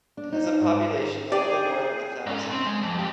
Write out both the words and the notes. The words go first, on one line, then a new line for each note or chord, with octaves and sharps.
It has a population a little more than a thousand.
D4
D#4
G#2
D#3
G4 G#4 D5 G5
G#2 C#4
C4
G#3
F2
B1 G4